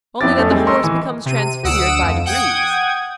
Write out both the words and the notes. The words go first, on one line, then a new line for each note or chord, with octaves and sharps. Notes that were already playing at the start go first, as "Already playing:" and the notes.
Only that the horse becomes transfigured by degrees.
F2 B3 C4 E4 D6 A6
F2 A3 C#4 A4 E5
G3 A3 C4 D#4 G#4
A#4 D#5 C6 C#6 E6
E3
C3 D#7
D2 F#5 D#6 E6 D7 E7
F2
F#5 G5 D#6 G#6